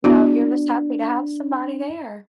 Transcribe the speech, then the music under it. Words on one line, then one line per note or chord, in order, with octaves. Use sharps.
No, you're just happy to have somebody there.
B3 D4 E4 F#4